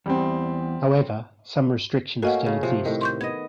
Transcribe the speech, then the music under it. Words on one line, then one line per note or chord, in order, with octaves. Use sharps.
However, some restrictions still exist.
E2 G3 C4
A3 A#3 C#4 F#4 D#5 F#5
C#3
C3 F3
A2 D#3
C6 C#6 G6
B3 D#5 G#6